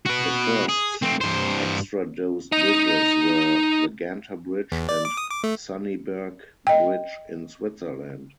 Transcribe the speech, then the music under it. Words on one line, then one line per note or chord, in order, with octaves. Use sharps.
The first extradosed bridges were the Ganter Bridge and Sunniberg Bridge in Switzerland.
F#4 B4
G#4
A3 C4
G2 C5
D#4 D#5
E2
D5
D6
D#6
D6
A3
D#5 G5